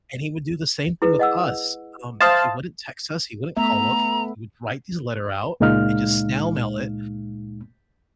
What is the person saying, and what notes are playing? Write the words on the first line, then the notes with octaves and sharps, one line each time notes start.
And he would do the same thing with us. Um, he wouldn't text us, he wouldn't call up, he would write these letter out and just snail mail it
E4 G#4 B4
D#5 F#5 E6
C5 E5 F5 A5 C6 D#6
A3 B3 E5 A#5
C#2 A#2 G#3 D#4 F5 F6